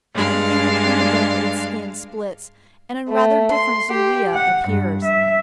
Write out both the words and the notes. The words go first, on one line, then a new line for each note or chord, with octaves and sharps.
Again and again its skin splits, and a rather different zoea appears.
G2 G#3 D4 F5
A3
C6
G4
F#5
G2
E5